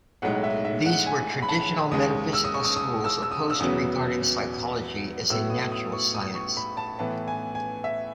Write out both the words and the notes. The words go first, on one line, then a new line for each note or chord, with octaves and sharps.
These were traditional metaphysical schools, opposed to regarding psychology as a natural science.
B1 A2 G#3 D#4 F#5
E5
E5
F#5
G#5
B5
A5
D#2 C#3 G#3 D#6
E6
D#6
C#6
D#6
D#6
E6
E6
D#6
E6
E2 C#3 F#3 B3 D#6
A2 F#3 B3 E6
D#6
D#6
C#6
D#6
C#6
B5
A5
A2 E3 B3 A5
G#5
G#5
E5